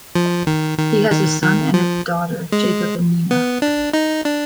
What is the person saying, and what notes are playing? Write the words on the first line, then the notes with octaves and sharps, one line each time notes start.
He has a son and daughter, Jacob and Nina.
F3
D#3
D#3
D#3
D#3
F3
G#3
B3
D4
D#4
D4